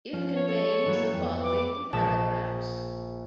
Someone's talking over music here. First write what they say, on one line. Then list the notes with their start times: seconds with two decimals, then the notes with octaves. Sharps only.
It contains the following paragraphs.
0.13 F3 C#4
0.36 C#5
0.48 A4 C#5
0.86 E3 F#3 A#3
1.14 F2 B3
1.44 B4 D6
1.93 A#1 G#3 A5 B6 E7